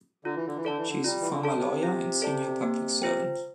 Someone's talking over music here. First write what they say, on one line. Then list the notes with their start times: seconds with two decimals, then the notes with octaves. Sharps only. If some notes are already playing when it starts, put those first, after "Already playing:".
She is a former lawyer and senior public servant.
0.25 D3 F4
0.35 E3
0.47 D3
0.57 E3
0.65 D3 A4 D5 A5
0.77 E3
0.88 D3
1.04 G3 F4
1.21 E3
1.30 D3
1.44 A4 D5 A5
1.57 C3
1.83 F4
2.22 A4 D5 A5
2.62 A#3
3.02 F4 C5 G5